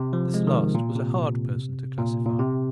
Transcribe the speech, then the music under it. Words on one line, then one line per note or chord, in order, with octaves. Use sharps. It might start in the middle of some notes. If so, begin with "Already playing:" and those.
This last was a hard person to classify.
Already playing: C3
F3
G#3
D#3
A#2
C3
A#2
A#2
C3